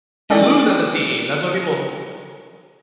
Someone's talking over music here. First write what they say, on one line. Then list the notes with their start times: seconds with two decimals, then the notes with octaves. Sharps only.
You lose as a team, that's why people m
0.30 G#3 C#4 A4 D5 G5